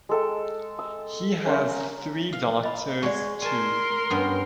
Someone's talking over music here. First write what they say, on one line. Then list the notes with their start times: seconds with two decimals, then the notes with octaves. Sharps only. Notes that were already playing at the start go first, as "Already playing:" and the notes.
He has three daughters too.
0.09 G#3 A4 G5
0.79 E6
1.45 C#4 A#4 E5 C6
2.33 F5
2.63 D#5 B5
3.03 G#3 C#5 D5 F#5 C#6
3.42 A#4 G#5 A5 C6
4.10 G2 B3 C#4